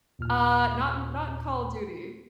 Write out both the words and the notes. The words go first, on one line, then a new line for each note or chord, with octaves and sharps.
Uh, not in not in Call of Duty.
D#2 A#2 F6